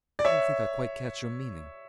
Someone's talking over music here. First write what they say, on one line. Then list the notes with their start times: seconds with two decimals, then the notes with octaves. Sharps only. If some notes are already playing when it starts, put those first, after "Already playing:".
I don't think I quite catch your meaning.
0.19 D5
0.25 C#5 E5